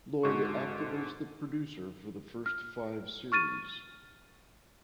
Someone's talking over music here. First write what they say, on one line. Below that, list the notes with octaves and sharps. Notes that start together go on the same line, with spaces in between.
Lloyd acted as the producer for the first five series.
G#2 D3 F#4 C#6
F6
C#6 F6 A6 D#7